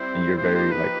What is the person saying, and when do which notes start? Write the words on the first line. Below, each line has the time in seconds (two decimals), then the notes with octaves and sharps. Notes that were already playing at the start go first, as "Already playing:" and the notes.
And you're very like
Already playing: G3 C4 E4 C5
0.37 F3 A#3 D#4 G4 C5
0.55 C5
0.71 B4